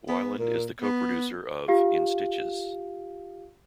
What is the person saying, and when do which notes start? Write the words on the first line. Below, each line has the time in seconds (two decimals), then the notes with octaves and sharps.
Weiland is the co-producer of "In Stitches".
0.08 B3
0.38 A#2
0.82 B3
1.68 F4 G4 F5